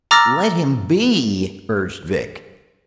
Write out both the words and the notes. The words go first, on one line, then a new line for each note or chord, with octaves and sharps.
"Let him be!" urged Vic.
A#5 D6 E6 F6 A6 A#6